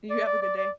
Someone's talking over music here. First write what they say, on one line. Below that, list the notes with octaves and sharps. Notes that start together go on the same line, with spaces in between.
You have a good day.
D5
D5
D5
D5